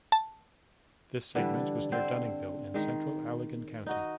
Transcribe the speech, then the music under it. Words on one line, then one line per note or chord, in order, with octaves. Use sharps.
This segment was near Dunningville in central Allegan County.
A5
D3 E3 G3 D4
D3 C4 C5
D#3 G#3
D#4 F#4 D#5